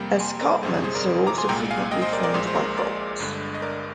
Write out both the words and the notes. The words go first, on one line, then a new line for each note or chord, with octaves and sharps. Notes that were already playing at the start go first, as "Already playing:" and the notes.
Escarpments are also frequently formed by faults.
Already playing: F2 C3 G3 A#3 G5 A#5
G#5 C6
A#4 D5
G1 F2 C3 G#4 C5
G#4
G#4 C5
A#4 D5
A#5 D6
G#5 C6
C2 A#2 G#3 G5 A#5
F5 G#5
D#5 G5
C5 D#5
A#4 D5
A#4 D5
A#1 A#2 G#3 G#4 C5
C5
A#4
A#4 D5
G1 G2 D3 G#3
D#5
A#4 D5